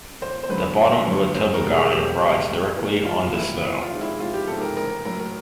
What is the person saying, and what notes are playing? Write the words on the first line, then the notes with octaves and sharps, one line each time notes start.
The bottom of a toboggan rides directly on the snow.
G1 C5
C5
F#2 D3 F#3 B3 B4
G1
F#2 D3 F#3 B3
B1 C5
A#4
B2 G3 C4
G#4
B1 G4
B2 G3 C4
G2
E3 G3 A#3
G2 F4
E3 G3 A#3 E4
F2
F4
C3 D#3 G#3 C4
E4
F2 F4
G4
C3 D#3 G#3 C4 A4
A#4
A1 A#4
A#4
A2 F#3 A#4
A#4